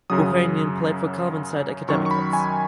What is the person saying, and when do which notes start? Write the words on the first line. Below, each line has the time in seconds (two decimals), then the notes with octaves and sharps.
Buchanan played for Kelvinside Academicals.
0.10 F#2 C#3 F#3 D#6
1.88 F#2 D#3 F#3 C#6
2.06 C#6
2.11 B5
2.33 G#5